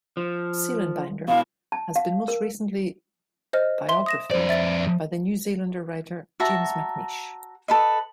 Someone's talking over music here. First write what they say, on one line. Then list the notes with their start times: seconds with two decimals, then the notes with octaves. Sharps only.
Seelenbinder has been most recently biographied by the New Zealand writer James McNeish.
0.17 F3
1.28 B2 E4 F5
1.72 A5
1.96 F5
2.28 A#4
3.53 C5 D#5 F6
3.89 E5 C6 G7
4.06 D#6 A#6 E7
4.31 F2 C5 D5
4.49 E5 A6
6.40 F#4 E5 A5 A#5
7.68 A4 B4 D#5